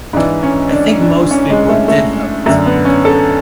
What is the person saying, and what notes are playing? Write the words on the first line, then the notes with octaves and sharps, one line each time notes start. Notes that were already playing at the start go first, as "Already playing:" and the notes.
I think most people did love it.
G#2 E3 D4
C#4
D4
D4
C#4
G#3
A3
A3
F#2 D3 A3
B3
C#4
A4